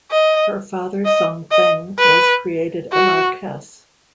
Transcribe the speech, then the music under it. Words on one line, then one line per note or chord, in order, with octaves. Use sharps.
Her father Song Feng was created a marquess.
D#5
D#5
D#5
B4
F#4